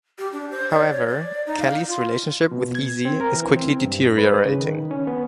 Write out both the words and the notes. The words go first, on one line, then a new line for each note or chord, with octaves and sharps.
However, Callie's relationship with Easy is quickly deteriorating.
G4
D4
C5
D5
C#5
D5
D#4
F5
F4
B2
G#6
C4
A#4
E3
C4
G2
B4
C#3
D#3
C#4
B3